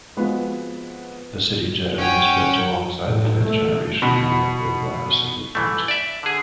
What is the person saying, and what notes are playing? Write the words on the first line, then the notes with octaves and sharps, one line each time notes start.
The City Jetta is built alongside the fifth generation in the Puebla Assembly Plant.
F3 G#3 B3 C4 F#4
C#4 F#5 G5
A2
A3
B2
E3 A3
D5 E5
D3 G#4